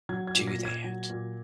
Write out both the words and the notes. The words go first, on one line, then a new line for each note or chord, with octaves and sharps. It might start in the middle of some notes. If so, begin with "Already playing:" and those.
do that
F#3 G#6
G#6
A#2
A#6
A#2
G#6
F#3
A#2